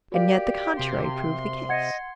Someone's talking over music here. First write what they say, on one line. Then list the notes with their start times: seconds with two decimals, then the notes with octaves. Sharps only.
And yet the contrary proved the case.
0.12 F#4 G4 A#4 D5 F5
0.79 C3 C6
1.69 D#5 F#5 G#6 C#7